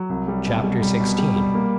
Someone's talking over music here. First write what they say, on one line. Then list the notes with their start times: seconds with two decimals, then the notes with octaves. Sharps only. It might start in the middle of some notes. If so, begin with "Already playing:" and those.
Chapter XVI.
Already playing: F#3
0.09 C2
0.28 G3
0.46 B2
0.64 G3
0.82 G3
1.00 B2
1.18 G3
1.36 G3
1.55 A#3